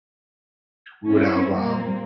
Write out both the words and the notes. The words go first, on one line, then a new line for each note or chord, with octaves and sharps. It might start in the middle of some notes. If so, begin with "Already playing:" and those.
we would have, um,
C4 C#4 E4
A#2 G3 A#3 C4